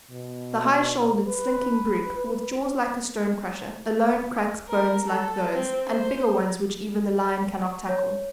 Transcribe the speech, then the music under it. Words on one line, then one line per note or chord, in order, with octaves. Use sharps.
The high-shouldered slinking brute, with jaws like a stone-crusher, alone cracks bones like those and bigger ones which even the lion cannot tackle.
B2
B4
A#4
A4
C4
C5
C#5